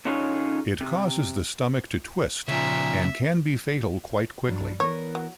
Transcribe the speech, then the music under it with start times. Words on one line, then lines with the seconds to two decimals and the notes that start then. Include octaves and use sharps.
It causes the stomach to twist and can be fatal quite quickly.
0.05 D3 C#4 D#4 F4 G#4 C#5
0.81 C3
2.48 A#2 C#3 F3 E5
4.48 G2 F#3 D4
4.80 E3 B3 A#4 C#5
5.15 F#3